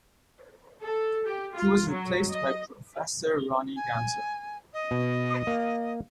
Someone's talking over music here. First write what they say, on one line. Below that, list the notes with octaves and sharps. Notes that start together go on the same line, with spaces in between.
He was replaced by Prof. Roni Gamzo.
A4
G4
F4
F#3
D#5
G#5
D#5
B2
A#3 F5